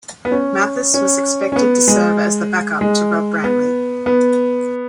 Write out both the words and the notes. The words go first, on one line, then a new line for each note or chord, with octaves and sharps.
Mathis was expected to serve as the back-up to Rob Brantly.
B3
C#4
C#4
C#4
B3
G#3
G#3
B3
B3